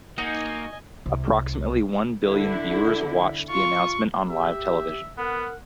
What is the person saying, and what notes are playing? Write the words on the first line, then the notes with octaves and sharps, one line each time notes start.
Approximately one billion viewers watched the announcement on live television.
A#3 D#4 F#4 D#5 G#5
C2
D3 E4
F4 C#6
G4 E5
B3 A#4 F#5